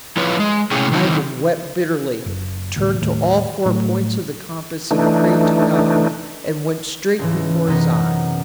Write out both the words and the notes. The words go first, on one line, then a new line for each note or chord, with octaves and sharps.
Ivan wept bitterly, turned to all four points of the compass and prayed to God, and went straight before his eyes.
F3 E4 F4 B4 C#5
G#3
A2 C3 C#4 G4 G#4
D#3 E3 F#3 C4 D#4
F#1
A1 D2
D#2 A2
A2 F#3 A3
E3 A3 D4 D#4
C#2 G#2 E3
F#2 C3 B3 D#4